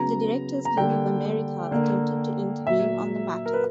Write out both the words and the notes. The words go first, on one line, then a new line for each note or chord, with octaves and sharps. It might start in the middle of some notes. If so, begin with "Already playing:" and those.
The Director's Guild of America attempted to intervene on the matter.
Already playing: C#3 F#3 B3 A#5
A#5
D3 G3 A#3 G5
D3 A#3
A#2 F#3 A#3 E5
A#4
B4